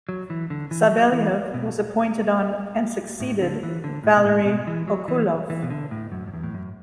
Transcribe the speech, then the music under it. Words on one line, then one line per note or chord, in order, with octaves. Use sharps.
Savelyev was appointed on and succeeded Valery Okulov.
F#3
E3
D3
E3
F#3
E3
B2
A2
D3
E3
D3
A2
B2
A2
B2
E3
F#3
E3
E3
B2
D3
A2
F#2
F#2
E2
A2
F#2